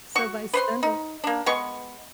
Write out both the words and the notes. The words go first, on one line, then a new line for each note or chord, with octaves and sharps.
So, by Sunday
F#4 C#6
B4 C5 C6
D#4
A#3 D4
G#3 B3 C#6